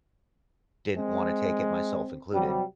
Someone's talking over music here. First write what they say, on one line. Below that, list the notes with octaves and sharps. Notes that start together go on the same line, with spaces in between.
didn't wanna take it, myself included,
G#3 C4
C3 F#3 G3